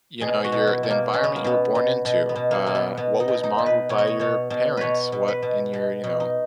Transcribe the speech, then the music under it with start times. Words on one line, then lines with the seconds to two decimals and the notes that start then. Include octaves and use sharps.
you know, your the environment you were born into, uh, what was modeled by your parents? What in your, you know,
0.21 B2 G#4
0.44 F#4
0.52 B2
0.67 E4
0.83 B2
0.90 A#3
1.13 B2 C#4
1.24 B3
1.36 A#3
1.44 B2 B3
1.75 B2
2.05 B2
2.29 B3
2.36 B2
2.51 A#3
2.66 B2 A#3
2.75 B3
2.97 B2 B3
3.20 D#4
3.28 B2
3.43 D#4
3.58 B2
3.66 B4
3.89 B2 C#5
3.98 D#5
4.07 C#5
4.20 B2 C#5
4.50 B2
4.77 B2 B4 C#5
5.12 B2
5.28 B4
5.42 B2
5.73 B2
6.04 B2
6.20 D#4